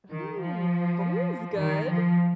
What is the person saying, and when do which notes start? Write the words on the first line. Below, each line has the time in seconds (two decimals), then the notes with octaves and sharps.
Oh, bowling's good,
0.11 D#3
0.41 F3
1.59 D#3
1.88 F3